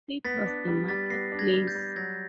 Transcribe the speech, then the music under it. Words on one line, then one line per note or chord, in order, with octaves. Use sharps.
It was a market place.
B3 A6 B6
D4
G3
G3 A6 B6
B3 A#6 C7
D4
G#6 A#6
G3
G6 A6
G3
F#3 G#6 A#6